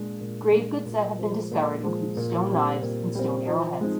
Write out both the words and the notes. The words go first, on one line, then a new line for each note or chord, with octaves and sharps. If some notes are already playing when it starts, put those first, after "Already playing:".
Grave goods that have been discovered include stone knives and stone arrowheads.
Already playing: A#2 G#3 D4
A#2
G#3 D4
A#2
F3 G#3
A#2
F3 G#3
A#2
G3 C4
A#2
G3 C4
F3
G#3 C4 D#4